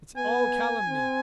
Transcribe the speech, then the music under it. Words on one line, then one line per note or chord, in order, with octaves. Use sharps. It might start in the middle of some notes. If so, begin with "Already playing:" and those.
It's all calumny!
B3 G#5
C4